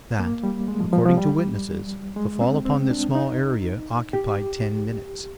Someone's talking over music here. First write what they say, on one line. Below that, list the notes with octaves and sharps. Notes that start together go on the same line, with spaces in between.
That, according to witnesses, the fall upon this small area occupied ten minutes.
A#3
G3
G#3
F3
F3
F3
G3
G#3
C4
C4
D4
D#4
G4